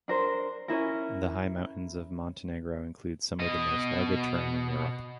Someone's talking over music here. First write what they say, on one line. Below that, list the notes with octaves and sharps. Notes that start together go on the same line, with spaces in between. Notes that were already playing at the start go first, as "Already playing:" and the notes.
The high mountains of Montenegro include some of the most rugged terrain in Europe.
D4 A#4 C5
C#4 D#4 E4 A#4
B2 D#5